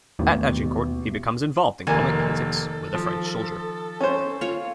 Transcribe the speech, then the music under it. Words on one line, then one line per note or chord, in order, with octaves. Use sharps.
At Agincourt he becomes involved in comic antics with a French soldier.
A1 D#2 B2
F1 D#3 A#3 A4 G#5
F3
C#4 C5
F4 C#5